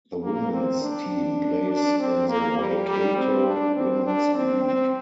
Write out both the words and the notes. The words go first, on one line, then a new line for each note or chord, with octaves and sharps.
The women's team plays in the Waikato Women's League.
A#3
C4
D4
D4
C4
A#3
G3
G3
C4
D4
C4
D4
C4
C4